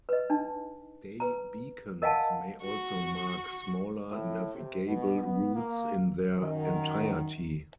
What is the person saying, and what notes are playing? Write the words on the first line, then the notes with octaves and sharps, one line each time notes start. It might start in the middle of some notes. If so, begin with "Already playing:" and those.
Day beacons may also mark smaller navigable routes in their entirety.
B4 D#5
D4 D#4
B4 A#5
A#4 D#5 F5 F#5 G#5 A5
F#4 C#6
A2
C3
B2
B3
A#3
F#2 D#3